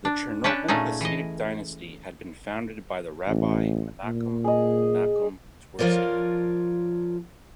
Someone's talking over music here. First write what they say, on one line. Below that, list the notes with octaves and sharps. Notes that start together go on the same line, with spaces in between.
The Chernobyl Hasidic dynasty had been founded by Rabbi Menachem Nachum Twersky.
D4
C#4 D4 B4 C#5 G5 A5
A#2 A3 C#4 D#4 G#4
E3 D#5
A1
A#2
G#4 D#5
F3 F4 A#4 C#5 D5